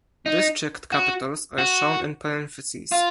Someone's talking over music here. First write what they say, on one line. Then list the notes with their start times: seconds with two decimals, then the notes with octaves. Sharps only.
District capitals are shown in parentheses.
0.26 D#4
0.93 F#4
1.59 F#4
2.92 F4